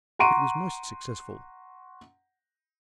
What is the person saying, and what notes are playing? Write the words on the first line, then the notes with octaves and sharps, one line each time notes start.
It was most successful.
F#5 A#5 C6 C#6 D7 D#7